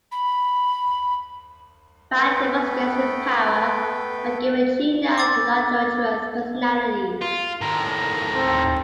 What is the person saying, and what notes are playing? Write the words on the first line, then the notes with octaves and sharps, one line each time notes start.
Valle demonstrates his power by giving Gina the adulterous personality.
B5
A3 B3 A4 B4 G5
D6 E6 A6
F4
A2 D#3 A#5
C4 A4